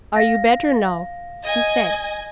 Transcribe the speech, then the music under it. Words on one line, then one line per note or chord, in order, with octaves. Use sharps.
'Are you better now?' he said.
F5 A#6
D#5 G#5